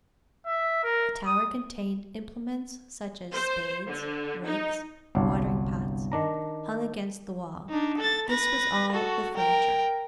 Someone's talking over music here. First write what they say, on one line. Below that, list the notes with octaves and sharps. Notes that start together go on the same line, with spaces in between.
The tower contained implements, such as spades, rakes, watering-pots, hung against the wall; this was all the furniture.
E5
A#4
D#6
C5
D3
D#4
G1 C2 F#3 D4
D#3 D4 A#5
D4 D#4
A4 A6
B4 A#6
F#4 A4
A#4 G5